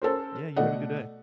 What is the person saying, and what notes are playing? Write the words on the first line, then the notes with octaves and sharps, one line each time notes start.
Yeah. You have a good day.
C#4 A4 A#4 C5
B2 A3 D5 D#5 F#5